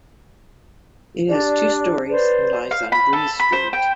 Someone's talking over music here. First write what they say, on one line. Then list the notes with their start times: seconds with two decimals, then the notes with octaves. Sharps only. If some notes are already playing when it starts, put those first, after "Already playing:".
It has two stories and lies on Bree Street.
1.29 D4 G4 D5
2.10 B4 C5 D5
2.71 F5
2.92 B5
3.13 A4
3.39 B5
3.52 C5
3.73 G5